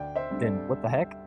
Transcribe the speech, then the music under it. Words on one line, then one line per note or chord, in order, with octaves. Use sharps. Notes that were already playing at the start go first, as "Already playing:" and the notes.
then, "What the heck?"
Already playing: D2 D5 G5
C5 E5
D3 G3 C4
A4 D5